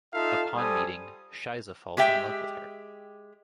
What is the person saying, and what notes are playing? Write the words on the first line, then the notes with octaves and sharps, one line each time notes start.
Upon meeting, Shiza falls in love with her.
D#4 F4 A4 E5 F5
G3 A4 C5 G#5 D#6
G#3 G4 E5 G5